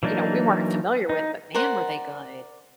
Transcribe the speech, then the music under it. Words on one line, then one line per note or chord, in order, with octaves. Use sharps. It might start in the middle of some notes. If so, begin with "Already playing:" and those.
you know, we weren't familiar with, but man, were they good.
E3 F#3 A#3 D4 D#4
D#4
A#4 C5 D5 F#5